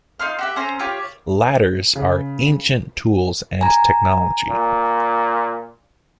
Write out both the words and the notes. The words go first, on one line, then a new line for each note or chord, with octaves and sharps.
Ladders are ancient tools and technology.
D#4 F4 C6 F6
F#4 G4 E5
C#4 C5 A#5 E6
F4 G4 C#5 F5
C#3
G#5 A#5
A#2